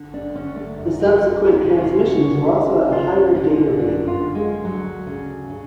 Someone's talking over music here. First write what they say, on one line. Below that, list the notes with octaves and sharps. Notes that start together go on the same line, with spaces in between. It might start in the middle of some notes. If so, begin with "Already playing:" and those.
The subsequent transmissions were also at a higher data rate.
Already playing: D3
D4
D3 C#4
A3
F#2
F#3
F2
C#3
F4
D2 F#4
C#3
F2 F4
D3
F#2 D4
F4
D3
G#3
D2 F#3
C#3
C#3